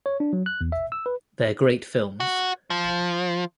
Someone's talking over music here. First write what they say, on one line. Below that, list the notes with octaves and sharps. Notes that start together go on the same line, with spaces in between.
They're great films.
C#5
D4
F#3
F#6
E2
E5
E6
B4
F#4
F3